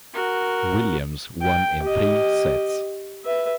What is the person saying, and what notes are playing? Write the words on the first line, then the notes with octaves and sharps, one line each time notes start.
Williams won in three sets.
F#4 A#4
G5
G4 D#5
B4 E5